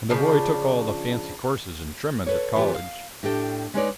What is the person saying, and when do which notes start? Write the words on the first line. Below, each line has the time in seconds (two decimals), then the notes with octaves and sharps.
And the boy took all the fancy courses and trimmings at college.
0.10 C#3 F3 D4
2.27 A4 B4 C#5
2.55 E3 B3 F4 G4
2.74 F5
3.23 A2 D4 G4 A4 B4 G5
3.74 G#3 C#4 D#4 B4 C#5 D5